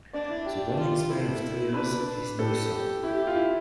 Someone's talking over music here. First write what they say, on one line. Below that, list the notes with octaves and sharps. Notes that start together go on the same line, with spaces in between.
The burning smell of tires is noisome.
D4 D5
E4
G4
F4
E4 A4
D4 B4
D4
G4 A4
G4
E4 G4
F4
E4